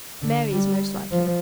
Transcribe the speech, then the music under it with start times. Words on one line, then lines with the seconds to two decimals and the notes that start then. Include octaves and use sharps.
Mary is most like him.
0.22 D3
0.52 G3
1.11 F3